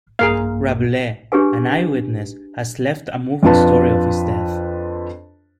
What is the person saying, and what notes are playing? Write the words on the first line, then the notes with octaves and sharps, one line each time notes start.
Rabelais, an eye-witness, has left a moving story of his death.
A#1 G2 A#3 G#4 A#4 F5
D4 G4 G#4 B4 G#5
F2 D4 F4 B4 A5